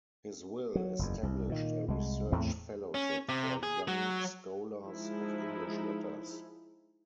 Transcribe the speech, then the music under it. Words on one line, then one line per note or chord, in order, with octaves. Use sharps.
His will established a research fellowship for young scholars of English Letters.
F#3
F#1 E2
C2
A#2 D#3
C2 G#3
E2 A2 A3 C4
C#4
C3
G#4
F#3
F3 G#3 D#4 E4